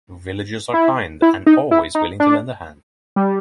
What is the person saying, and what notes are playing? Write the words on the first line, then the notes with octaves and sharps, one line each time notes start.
Villagers are kind and always willing to lend a hand.
E4
E4
D#4
E4
D#4
D4
G3